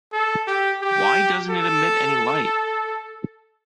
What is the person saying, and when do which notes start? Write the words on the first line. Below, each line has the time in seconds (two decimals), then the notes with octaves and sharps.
Why doesn't it emit any light?
0.13 A4
0.48 G4
0.82 G4
1.50 A4